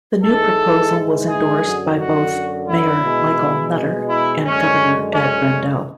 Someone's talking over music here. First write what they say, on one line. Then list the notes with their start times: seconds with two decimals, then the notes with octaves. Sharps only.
The new proposal was endorsed by both Mayor Michael Nutter and Governor Ed Rendell.
0.23 G#2 E3 G#3 A4
1.28 G#4
1.63 F#2 D3 F#3
1.99 F#4
2.68 E4
3.03 B2 G#3
4.09 E4
4.44 F#2 D3 G#3 C#4
5.15 C#4